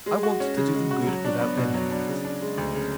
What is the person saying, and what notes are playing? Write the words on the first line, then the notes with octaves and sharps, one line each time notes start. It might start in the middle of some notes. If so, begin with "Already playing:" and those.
I want to do them good without their knowing it.
G#3
F#4
C#4
C#3
G#3
F#4
F#3
D4
B3
B2
F#3
D4
C#3
D4
G#3
D2
C#3